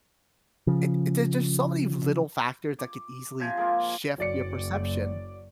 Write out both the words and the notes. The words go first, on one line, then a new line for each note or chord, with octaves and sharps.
it it there's just so many little factors that could easily shift your perception.
C#3 F3
D6
C3 F3 G#5
G#3 A#3 F4
F#1 F#3 D5 C#7